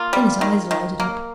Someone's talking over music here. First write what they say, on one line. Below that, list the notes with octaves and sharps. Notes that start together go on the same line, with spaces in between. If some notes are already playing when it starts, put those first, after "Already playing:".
Then his eyes lighted up.
Already playing: A#3 F4
G3
D#3
D#3
A#3